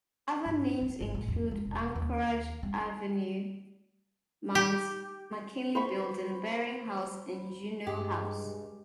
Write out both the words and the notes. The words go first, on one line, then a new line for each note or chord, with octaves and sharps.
Other names include Anchorage Avenue, Mount McKinley Building, Bering House and Juneau House.
G2
D#4
G#1
A2
F2
G#3
E1
D#2
G3
G4
C5 B5 C#6
G2 G#3 G4